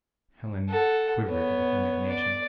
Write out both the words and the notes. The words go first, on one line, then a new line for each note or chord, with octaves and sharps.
Helen quivered with indignation.
A4 F#5
B3 C#5
D5